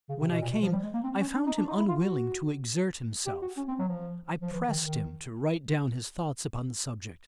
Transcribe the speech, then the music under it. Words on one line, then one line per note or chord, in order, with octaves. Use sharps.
When I came, I found him unwilling to exert himself. I pressed him to write down his thoughts upon the subject.
C#3
C3
B2
A#2
B2
F3
G3
G#3
A#3
C4
C#4
D4
D#4
D4
D#4
E4
F4
F#4
G4
F#4
C#4
C4
F#3
F3
F3
E3
D#3
D#3